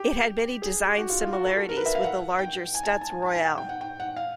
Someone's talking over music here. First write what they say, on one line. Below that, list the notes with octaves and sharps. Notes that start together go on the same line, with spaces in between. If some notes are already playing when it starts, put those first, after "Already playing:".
It had many design-similarities with the larger Stutz Royale.
Already playing: G4
G#4
G4
F#4
F4
F4
F#4
A4
A4
A#4
B4
E5
F5
F#5
G5
G#5
A5
G#5
A5
G#5
A5
G#5
F#5
G5
F#5
G5
F#5
F5